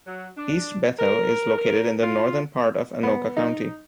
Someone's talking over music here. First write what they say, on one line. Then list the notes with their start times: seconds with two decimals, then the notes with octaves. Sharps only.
East Bethel is located in the northern part of Anoka County.
0.06 F#3
0.38 D4
0.98 A#4
1.58 A#4
2.02 F4
3.03 B3
3.37 D#4